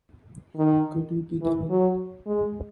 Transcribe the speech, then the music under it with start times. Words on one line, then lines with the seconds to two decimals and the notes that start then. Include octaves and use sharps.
Could You Be the One?
0.56 D#3
1.42 E3
1.70 F#3
2.26 G#3